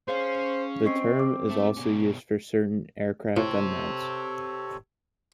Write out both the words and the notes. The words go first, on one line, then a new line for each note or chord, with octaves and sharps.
The term is also used for certain aircraft gun mounts.
C#4 G#4 C5 F5 C7
C4 D#5 C#6 C7
D6
A3 A4
B2 C#4
A2 G4 A4 C5 C#5